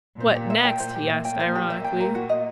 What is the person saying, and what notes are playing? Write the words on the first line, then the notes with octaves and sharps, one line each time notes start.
"What next?" he asked ironically.
A#2 A#3 C5
G4
E5
G5
C5
G4
A#2 A#3 E5
G5
C5
G4
E5
G5
A#4
F#4
D#5